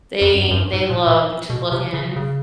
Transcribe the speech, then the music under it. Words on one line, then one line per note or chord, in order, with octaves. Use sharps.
they they loved to looking,
F2
F#2
G2
F#2
G2
G#2
A#2
A#2
B2
C3
C#3
C#3